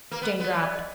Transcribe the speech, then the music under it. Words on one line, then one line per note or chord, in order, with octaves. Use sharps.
Jane dropped.
A#3 B4
B3
B3
C#5
D5
D#5